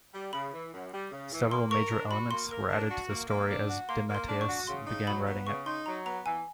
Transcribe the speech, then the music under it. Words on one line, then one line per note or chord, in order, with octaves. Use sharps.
Several major elements were added to the story as DeMatteis began writing it.
G3
C#3 B5
E3
F#2
G3
C#3
E3
A#3 C6
A#4 C#6
D4
F#4 B5
A#3 C6
A#4
D4
F#4
A#3
A#3
D4
F#4
A#3 C6
A#3
C6
D4
C#6
F#4
C#3 C6
D#4
F#3 B5
B3
C#3 C#6
D#4 C6
F#3 A#5
B3 A#5
E3 G#5